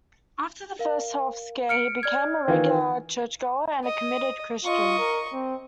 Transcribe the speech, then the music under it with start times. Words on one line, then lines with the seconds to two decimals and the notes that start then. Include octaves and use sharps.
After the first health scare he became a regular churchgoer and a committed Christian.
0.79 A#4 F5
1.69 F6 C#7 D7
2.03 D5 F6 G#6
2.48 D#3 E3 F4
3.84 D#5
4.64 F4 D#5 C#6
4.98 A#4
5.33 C4